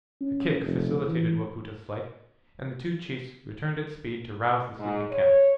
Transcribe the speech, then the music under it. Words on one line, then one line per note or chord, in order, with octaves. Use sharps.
A kick facilitated Wapoota's flight, and the two chiefs returned at speed to rouse the sleeping camp.
C#4
F1
E3
G#2
C#5